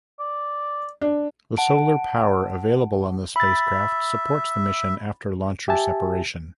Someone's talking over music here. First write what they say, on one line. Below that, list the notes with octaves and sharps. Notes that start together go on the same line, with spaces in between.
The solar power available on the spacecraft supports the mission after launcher separation.
D5
D4
F#5 A5 D7
E5 B5 A6
G4 E5 G#5 A5